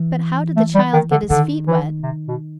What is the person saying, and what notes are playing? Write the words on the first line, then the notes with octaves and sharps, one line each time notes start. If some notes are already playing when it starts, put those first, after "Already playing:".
"But how did the child get his feet wet?"
Already playing: E3
A3
G3
D#3
D3
E3
D3 D#3
E3
C3
B2